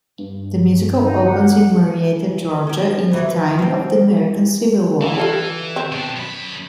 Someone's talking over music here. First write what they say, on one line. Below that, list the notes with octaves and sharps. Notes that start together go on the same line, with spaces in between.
The musical opens in Marietta, Georgia, in the time of the American Civil War.
G2
D#4
G4 F#5
C#4 G4
F3
D3 E3 F#3
B4
F3 C4
E3
G3 F4 A4
C4
B2 D4
F#2 B5